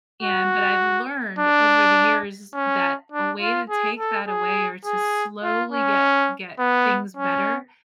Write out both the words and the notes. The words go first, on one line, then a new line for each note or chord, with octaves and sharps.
And but I've learned over the years that a way to take that away, or to slowly get get things better
F#4
D4
C#4
D4
F4
G#4
A4
G#4
G#4
F4
C#4
B3
C#4